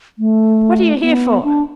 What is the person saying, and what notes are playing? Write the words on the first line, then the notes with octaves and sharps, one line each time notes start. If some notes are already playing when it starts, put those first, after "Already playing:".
"What are you here for?"
A3
B3
D4